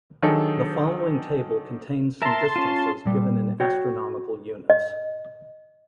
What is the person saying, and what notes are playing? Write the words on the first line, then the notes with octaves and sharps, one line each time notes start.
The following table contains some distances given in astronomical units.
D#3 F#3 D4 D#4 G#4 A4
A#4 E5 A5 A#5 C6
C#4 F4
A#2 G3
F#4 C#5 G5
D#5